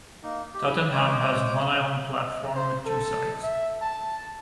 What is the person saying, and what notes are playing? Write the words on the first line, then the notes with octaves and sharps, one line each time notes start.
Tottenham has one island platform with two sides.
A#3 D#4
G4
E4
G#3 C#5 G5 D6
C5
A4
E5
A5